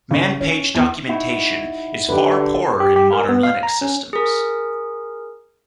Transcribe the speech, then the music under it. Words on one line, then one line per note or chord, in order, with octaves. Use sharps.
Manpage documentation is far poorer in modern Linux systems.
C#3
C#4
E2
D#4 E4 F#4
D3 G4 B4
G4
G4
A#4
B3
F5
A#5
C#4
G#4 A#4